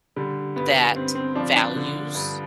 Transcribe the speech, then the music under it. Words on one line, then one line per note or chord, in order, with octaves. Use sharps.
that values
D3 G3
G2 B3
G2 C4
C4
F3 D4
D4
D3
G2